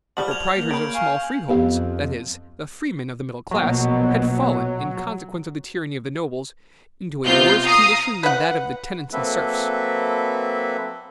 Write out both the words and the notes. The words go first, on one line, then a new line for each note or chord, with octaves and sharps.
The proprietors of small freeholds, that is, the freemen of the middle class, had fallen, in consequence of the tyranny of the nobles, into a worse condition than that of the tenants and serfs.
F3 G3 F#4 F6 G6 F#7
G#6 F7
A#3
C#3 B5 G6 D7
F5 G#5 C#6
F2 B3 G4 F5
A#1 B2 F#3
C3 B3 F4 G6
F5 A#5 D#6 C7
B4 F#5
F#3 A#3 C4 A4 B4 E5